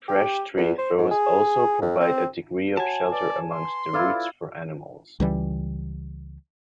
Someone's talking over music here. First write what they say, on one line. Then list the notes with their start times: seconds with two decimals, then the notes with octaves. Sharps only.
Fresh tree throws also provide a degree of shelter amongst the roots for animals.
0.08 G4
0.57 E2
0.78 C5
0.98 G#2
1.11 G#4
1.82 F2
2.00 C4
2.77 F#4 C#5 F#5 G#5 A5
3.12 B4 D5
3.51 C6
3.93 E4 F4 A4 B4 D5 E6
5.20 C#2 E3 G3